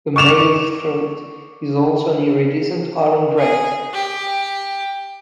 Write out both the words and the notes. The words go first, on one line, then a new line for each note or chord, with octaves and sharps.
The male's throat is also an iridescent orange-red.
C#6 D6 E7 F7
G#4
G4